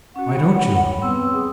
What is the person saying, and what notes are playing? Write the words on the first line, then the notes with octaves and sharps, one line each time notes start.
"Why don't you?"
C#4 F#4 F#5
G3 C#5 B5
B3 C4 G5 E6
G#4